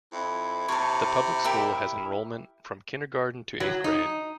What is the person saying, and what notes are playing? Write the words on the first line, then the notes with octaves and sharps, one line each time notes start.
The public school has enrollment from kindergarten to eighth grade.
F2 E4
C3 C#5 A5
G4 A#4 E5
F#3
D#4